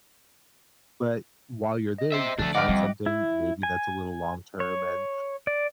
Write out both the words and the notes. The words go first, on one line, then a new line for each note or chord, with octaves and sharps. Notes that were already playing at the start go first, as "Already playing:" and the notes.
but while you're there, you can find something maybe that's a little long term, and
D#5
C5 E5
D3 F3 A3 D4
G2 D5 D#5 F#5 G5 D6 F6 D7
F2 G3 E5
E4
G#5
C#5
D5